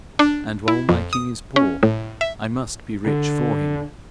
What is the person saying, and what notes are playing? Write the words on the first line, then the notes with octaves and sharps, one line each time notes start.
And while my king is poor, I must be rich for him.
D4
E4
F2
D#6
C#4
A2
E5
D3